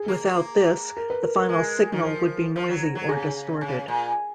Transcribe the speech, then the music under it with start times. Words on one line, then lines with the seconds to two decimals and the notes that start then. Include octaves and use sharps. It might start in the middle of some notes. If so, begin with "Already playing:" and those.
Without this, the final signal would be noisy or distorted.
Already playing: G#4
0.08 A#3
0.25 A#3
0.97 A#4
1.10 B4
1.23 A#4
1.36 A#4
1.49 G#3
1.92 D#3
2.03 F3 A#4
2.56 F3
2.69 F#3
2.95 F#3
3.09 C#3 G#4
3.61 C#3
3.88 A#2